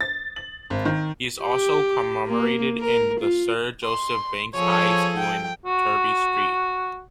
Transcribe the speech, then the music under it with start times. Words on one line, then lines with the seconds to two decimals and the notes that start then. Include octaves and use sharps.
He is also commemorated in the Sir Joseph Banks High School in Turvey Street.
0.01 A6
0.36 F#7
0.70 G#1
0.85 D#3
1.42 G4
2.27 A#3
2.80 A#4
3.21 F4
3.84 C6
4.55 F3 G#4 A4 C#5
5.18 G5
5.66 F#4